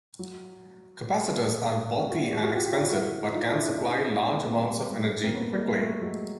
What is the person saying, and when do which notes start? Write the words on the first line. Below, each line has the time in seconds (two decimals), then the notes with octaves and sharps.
Capacitors are bulky and expensive but can supply large amounts of energy quickly.
0.19 F#3
1.09 G3
1.98 B3 C#4
2.10 E4 F#4
2.20 F4 G4
2.32 F#4 G#4
2.43 F#4 G#4
2.55 F4 G4
2.65 F4 G4
2.77 F4 G4
2.89 E4 F#4
3.33 D#4 F4
3.44 D#4 F4
3.55 D4 E4
3.67 C#4 D#4
3.78 D4 E4
4.22 C#4 D#4
4.34 B3 C#4
4.46 A#3 C4
4.57 G3
4.68 G3
4.90 G3
5.24 A#3 C4
5.34 B3 C#4
5.57 G#3 A#3
5.80 G3 A3
6.02 F#3 G#3